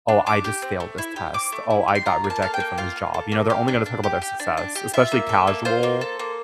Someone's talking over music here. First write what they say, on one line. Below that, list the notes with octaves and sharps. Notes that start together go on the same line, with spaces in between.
"Oh, I just failed this test, oh, I got rejected from this job." You know? They're only gonna talk about their success, especially casual
D4
D4 D6
G4
C4
A3
E4
G4
C4 D6
A3
E4
G4
C6
F4 A#5
A#3
A5
A4 F5
G5
A#3
F4 F5
A#3
A4
A#3
G4 F5
D4
D4
G4
G4
D4
D4
G4
F4 E5
A#3
A4
A#3
F4 C5
A#3
A4
A#3